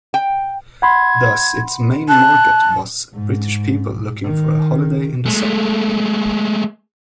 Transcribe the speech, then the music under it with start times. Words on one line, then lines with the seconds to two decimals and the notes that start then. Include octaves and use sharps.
Thus its main market was British people looking for a holiday in the sun.
0.14 G5
0.82 F#5 B5 C6 G#6
2.09 A5 F#6
3.14 G#2
4.24 D#3
5.25 G#3 A3